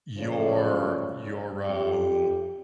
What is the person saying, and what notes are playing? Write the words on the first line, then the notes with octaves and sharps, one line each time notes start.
your your, um,
F#2 C#3 F3 A3 C#5 D5
F2 G4